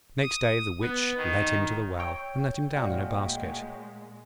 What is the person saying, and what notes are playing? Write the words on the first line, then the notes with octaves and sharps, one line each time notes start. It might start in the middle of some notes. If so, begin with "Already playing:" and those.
Next day the Witch led him to the well, and let him down in a basket.
D#6
B3
D#3
C#5 G5 E6 D7
A#2 G#3 F#4 D5 F5 F6